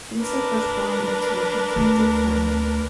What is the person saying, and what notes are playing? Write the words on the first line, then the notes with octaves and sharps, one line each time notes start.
Vincent was born into a conflictive family.
D4 A#4 B4
D2